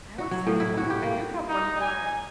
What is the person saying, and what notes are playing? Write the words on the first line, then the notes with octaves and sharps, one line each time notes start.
I would say ooh, I do have one more
F#4
F#3
A2
E4
F#4
G4
A#3
D#4
G#5